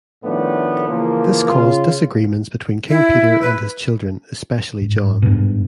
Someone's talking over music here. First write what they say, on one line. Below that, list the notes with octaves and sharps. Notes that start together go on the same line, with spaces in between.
This caused disagreements between King Peter and his children especially John.
A2 D#3 F3 A3 B3 D4
C#3 E3 F3 A#3
C#3 F4
E4
B4
G#2
G2 B2